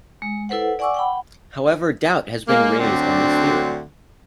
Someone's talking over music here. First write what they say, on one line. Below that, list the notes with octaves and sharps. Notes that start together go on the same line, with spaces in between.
However doubt has been raised on this theory.
G#3
E4 A4 B4 C5 F#5
D5 F#5 G#5 C#6 D6 E6
F#5 G5 B5
G#3 A#3
D2 D3 F#3 C4 D4